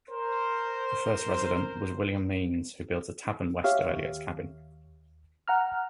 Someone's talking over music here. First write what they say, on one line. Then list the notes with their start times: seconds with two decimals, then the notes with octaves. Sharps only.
The first resident was William Means, who built a tavern west of Elliot's cabin.
0.10 A#4 C5
3.64 G4 C#5 E5 F5
3.89 D#2
5.48 F#5 A#5 F6